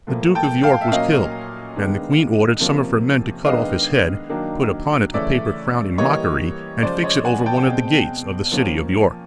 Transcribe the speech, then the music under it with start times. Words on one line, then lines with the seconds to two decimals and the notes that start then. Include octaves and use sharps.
The duke of York was killed, and the queen ordered some of her men to cut off his head, put upon it a paper crown in mockery, and fix it over one of the gates of the city of York.
0.07 A2 F3 A#3
0.35 G5 A5
0.63 F5 G5
0.81 E5
0.91 A#2 F#3 A#3 C#4 D#5 F5
1.76 D#3 G#3 B3 D4
2.60 C3 F3 A#3 C#4
3.45 D#3 G#3 B3 D4 D#5 F5
4.29 D#3 F#3 A#3 D4
5.14 C#3 E3 A3 C#4 D5 E5
5.98 E3 G3 A#3 C#5 D#5
6.82 C#3 F3 G#3 C5 D5
7.04 C#5 D#5
7.25 F#5 G#5
7.46 G5 A5
7.67 B2 G#3 C4
8.52 F3 A#3 C#4